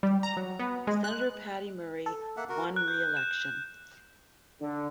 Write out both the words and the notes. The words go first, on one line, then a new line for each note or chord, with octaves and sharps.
Senator Patty Murray won re-election.
G3
A#5
F#3
B3
G#3
F#6
A4
A#3 E5 F#5
F#4 A#4
F#6
G6
E7
D3